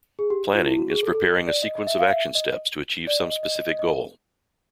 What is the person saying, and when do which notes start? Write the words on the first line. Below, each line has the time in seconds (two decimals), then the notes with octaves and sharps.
Planning is preparing a sequence of action steps to achieve some specific goal.
0.19 G#4
0.30 G4
0.54 F4
0.67 E4
0.78 F#4
0.90 G#4
1.03 A4
1.15 A4
1.31 D#5
1.47 D5
1.63 D#5
1.75 D#5
1.87 E5
1.99 F5
2.11 E5
2.35 D#5
3.07 D5
3.20 D#5
3.31 D#5
3.43 D#5
3.56 D#5
3.67 D#5
3.79 D#5